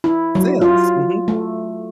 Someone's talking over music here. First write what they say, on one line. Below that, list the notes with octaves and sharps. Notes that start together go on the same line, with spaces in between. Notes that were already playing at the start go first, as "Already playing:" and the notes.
Sims, mhm.
E4
F#3
F4
A3